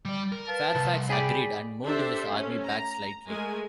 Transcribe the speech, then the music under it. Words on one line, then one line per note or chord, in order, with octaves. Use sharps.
Fairfax agreed, and moved his army back slightly.
G3 D5
A#4
B4 F5 A5
C2
G#4 D5 G5 B5
D4 G4 A4 C5 E5
A3 C#4
A#5
G#3 A3 A#4 G#5